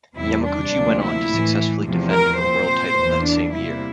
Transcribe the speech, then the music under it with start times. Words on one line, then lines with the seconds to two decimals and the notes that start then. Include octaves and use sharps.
Yamaguchi went on to successfully defend her World title that same year.
0.15 E2 C3 G3 C4 E4
0.44 D4
0.72 D2 C3 F3 A#3
1.01 E4
1.29 A2 E3 A3
1.85 E2 C3 F3
2.14 A#4
2.41 A#2 F3 C4 C5
2.98 E2 E3 A#3
3.26 D4
3.54 C3 G3 A#3 E4